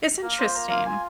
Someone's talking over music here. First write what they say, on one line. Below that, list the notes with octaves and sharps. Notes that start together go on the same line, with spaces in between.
it's interesting.
A#3 A#4
F4 C5
A#3 A#5
F4 F5
F4 G#5